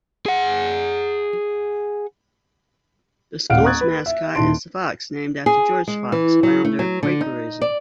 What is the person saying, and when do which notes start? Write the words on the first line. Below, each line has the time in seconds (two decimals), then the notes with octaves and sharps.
The school's mascot is the Fox, named after George Fox, the founder of Quakerism.
0.26 G#4 F#5
3.50 D#1 A1 F5 F#5 F6 D7
3.64 A#5 C#6 D#6 F#6 G#6 A6
3.81 B4
4.06 E5
4.35 D#1 D#3 E4 A5 C6 D7
5.46 G#4
5.88 G#3
6.12 E3
6.43 F#3
6.65 A3
6.79 F#3
7.03 D3
7.21 D#4
7.61 D5